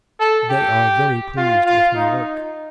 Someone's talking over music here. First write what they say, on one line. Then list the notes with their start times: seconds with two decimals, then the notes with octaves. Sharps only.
They are very pleased with my work....
0.20 A4
0.50 G4
1.37 F4
1.66 F4
1.95 D#4